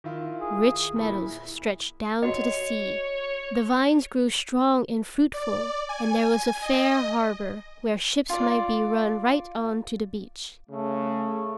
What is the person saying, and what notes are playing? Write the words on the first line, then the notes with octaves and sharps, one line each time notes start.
Rich meadows stretched down to the sea, the vines grew strong and fruitful, and there was a fair harbor where ships might be run right on to the beach.
D#3 E4 F4
G#4
A#2 E4
F#4 C#5 D#5
D5
G#5
D#5
F4 D5
C#3 A3